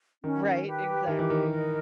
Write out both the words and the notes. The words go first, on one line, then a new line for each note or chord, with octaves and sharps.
Right. Exactly.
D#3 C#4
G4 B4 G5
D#3 G4
E3
D#3
A#4 D#5